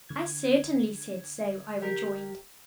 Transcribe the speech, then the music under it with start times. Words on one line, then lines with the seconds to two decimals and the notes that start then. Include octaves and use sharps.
"I certainly said so," I rejoined.
0.09 D3 G#6
1.82 G4 A#4